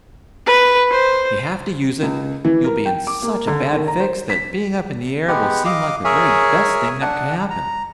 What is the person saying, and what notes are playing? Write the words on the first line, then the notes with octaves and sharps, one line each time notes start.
If you have to use it, you'll be in such a bad fix that being up in the air will seem like the very best thing that could happen.
B4
C5
C#2
E3
A#4
G5
D6
A#3
D3
D#3
A#5
C5
B6
G#3 B3 G4 F#5
D#5 F5 D6
G#4 A#4 C#5 E5 G#5
D4 F#5
A#5